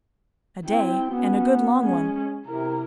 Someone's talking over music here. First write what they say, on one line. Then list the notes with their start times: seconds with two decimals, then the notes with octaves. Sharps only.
"A day, and a good long one."
0.65 C4 E4 G5
1.11 B3 C#4 F#4
1.81 G#3 C#4
2.46 C3 E4 A#4